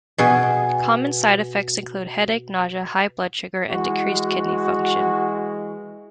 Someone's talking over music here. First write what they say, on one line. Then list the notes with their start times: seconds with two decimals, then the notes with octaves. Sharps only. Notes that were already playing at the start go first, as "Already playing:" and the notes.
Common side effects include headache, nausea, high blood sugar, and decreased kidney function.
0.18 B2 G#4
3.70 E3 G#3 F#4